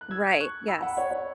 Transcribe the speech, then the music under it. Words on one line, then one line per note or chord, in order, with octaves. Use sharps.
Right, yes.
F#6
E6 G#6
C#6 F#6
B5 E6
F#5 B5
C#5 F#5
C#5